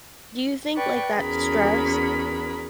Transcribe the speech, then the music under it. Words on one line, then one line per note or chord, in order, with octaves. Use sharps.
Do you think, like, that stress
B4 D5 G5 C#6
E2 C#4 F#4 G#4 A#4 B5